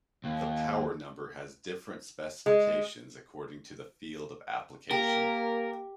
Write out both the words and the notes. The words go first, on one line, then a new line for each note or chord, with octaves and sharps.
The power-number has different specifications according to the field of application.
D#2
G#3
A#3 G4 A#4